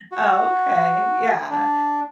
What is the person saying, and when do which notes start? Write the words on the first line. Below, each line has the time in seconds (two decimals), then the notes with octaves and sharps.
Oh, okay. Yeah,
0.12 F#4
1.50 D4